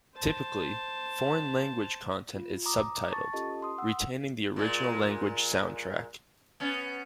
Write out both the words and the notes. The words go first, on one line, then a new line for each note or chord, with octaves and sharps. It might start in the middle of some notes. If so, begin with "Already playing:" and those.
Typically, foreign-language content is subtitled, retaining the original language soundtrack.
C5 A5
F4
A#5 D6 D#6
A5 C#6 A6
C#4 F4 G4 A4 D#5 A5
C6 D#6
F#5 E6
A#2 G#3
B3 C#4